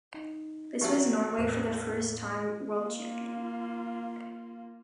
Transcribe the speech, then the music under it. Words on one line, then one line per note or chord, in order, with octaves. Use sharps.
This was Norway for the first time world champion.
D#4
G#1 F#3 G4 D#5 E5
E2 A2 A#3 C5
A#3 F4